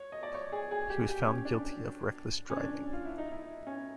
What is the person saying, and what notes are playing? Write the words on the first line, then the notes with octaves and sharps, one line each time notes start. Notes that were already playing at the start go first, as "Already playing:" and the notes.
He was found guilty of reckless driving.
Already playing: C#5
D#5
D5
C#5
G#4
G#4
G4
G4
C#4
D4
C#4
D4
F4
E4
D#4
E4
C#4